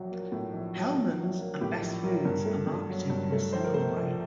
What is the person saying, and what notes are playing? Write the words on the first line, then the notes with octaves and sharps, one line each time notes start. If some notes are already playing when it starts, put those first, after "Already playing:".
Hellmann's and Best Foods are marketed in a similar way.
Already playing: A#1 F#3 F#4
A#3
A2
A#1
F#3
A#1
F#3
A#3
A2 G4
A#1
F#3 A#4
G2 A#4
A3
G2
F#3
G2
A3
A#1 C5
A#4
A3 C5
A#1